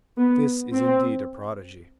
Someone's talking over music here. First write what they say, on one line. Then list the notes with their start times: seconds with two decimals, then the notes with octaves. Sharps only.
This is indeed a prodigy.
0.18 B3
0.73 C4